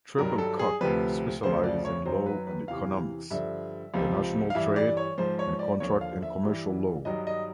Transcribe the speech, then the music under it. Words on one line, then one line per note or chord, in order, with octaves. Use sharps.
Trebilcock specializes in law and economics, international trade and contract and commercial law.
G2 D#3 F#3 A#4
A4
G#4
D2 C3 F3 B4
D2 C#3 F3 C5
D5
C#5
F#2 D#3 F#3 C5
B4
B4
E2 C3 E3 F5
G2 D3 F3 E5
C#2 C3 F3
F5
G2 E3 E5
D5
C#5
G#2 F3 C5
C#5
D5
D#2 D3 F3 C#5
F5
E5
G2 E3
G2 D#3 F#3 D#5
D#5